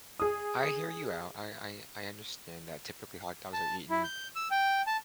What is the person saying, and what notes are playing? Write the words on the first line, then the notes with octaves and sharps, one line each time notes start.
I I hear you out, I I I understand that, typically, hot dogs are eaten
G#4 D#6
A5
E4
G6
E6
G5
A5